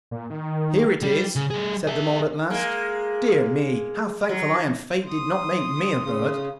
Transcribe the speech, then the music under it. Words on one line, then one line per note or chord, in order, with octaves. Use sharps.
'Here it is,' said the mole at last; 'dear me, how thankful I am Fate did not make me a bird.
A#2
D#3
G3 G4
C#3
G3 G#4
G#4 E5
G#3 A#3
F#3
C6 D#6
C#3